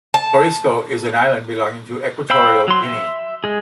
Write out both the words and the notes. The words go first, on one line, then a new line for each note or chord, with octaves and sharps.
Corisco is an island belonging to Equatorial Guinea.
A5
C5 F5 G5 B5 E6
F#3 C6
E5
G#3 G#4